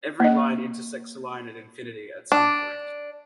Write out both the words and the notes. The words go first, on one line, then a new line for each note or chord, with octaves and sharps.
Every line intersects the line at infinity at some point.
A#3 D#5
D4